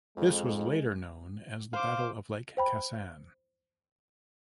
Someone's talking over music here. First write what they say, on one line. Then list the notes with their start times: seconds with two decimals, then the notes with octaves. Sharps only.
This was later known as the Battle of Lake Khasan.
0.17 F2 G#3
1.73 C5 F5 D6
2.57 C5 G5 B5